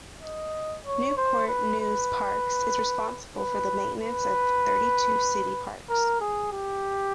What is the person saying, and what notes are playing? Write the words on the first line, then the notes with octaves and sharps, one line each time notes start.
Newport News Parks is responsible for the maintenance of thirty-two city parks.
D#5
C#5
C5
B4
B4
B4
B4
A#4
G#4
G4